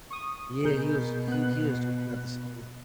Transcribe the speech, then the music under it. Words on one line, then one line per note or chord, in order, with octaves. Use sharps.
Yeah, he was he he was just not the same.
C#6 D#6
B2 G#4 A#4 G6
B3 F#6